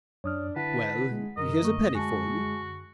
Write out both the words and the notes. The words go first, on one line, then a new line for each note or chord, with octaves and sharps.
"Well, here's a penny for you."
F#2 D4 C#5 D#6 F6
D3 E4 B4 F#5 A5
G#3
F#2 D3 A#4 D#5
A3 A#3 C#6
G#3 F#4 G#5 A5